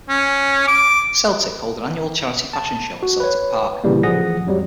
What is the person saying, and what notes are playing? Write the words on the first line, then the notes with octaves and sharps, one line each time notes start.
Celtic hold an annual charity fashion show at Celtic Park.
C#4
D6
A5
F#4
B4 C#5
A#2 C#3 E3 G3 A#3
A1 F3 G#4 F#5 D#6 A#6
F2 F#3 G3